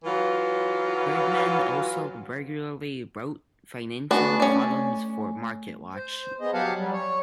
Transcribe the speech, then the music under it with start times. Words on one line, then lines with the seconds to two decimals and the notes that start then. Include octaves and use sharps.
Erdman also regularly wrote financial columns for Marketwatch.
0.05 E3 F#3 F4 F5
4.11 A3 B3 D4 F#4 G#5
4.40 C#4 D5
5.95 C5
6.40 B3 G#4 D#5
6.54 F#3 G4 F5 F#5 G#5 A5
6.78 F#3 G3
6.93 C#5